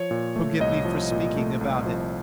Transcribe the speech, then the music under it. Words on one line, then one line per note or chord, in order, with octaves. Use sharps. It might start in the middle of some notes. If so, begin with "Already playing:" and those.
Forgive me for speaking about it.
Already playing: F3 C#5
A#2
A3
C2 D#5
F3
A#2
A3
C2
F3